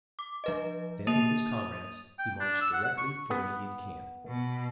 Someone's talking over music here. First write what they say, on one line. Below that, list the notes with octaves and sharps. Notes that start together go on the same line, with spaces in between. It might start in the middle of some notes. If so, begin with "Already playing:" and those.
Then, with his comrades, he marched directly for the Indian camp.
D6
F3 B4 D#5
A#3 D#6 A6 D#7 F7
G5
D4
E6
F#5
F#5
C#6
B3
B2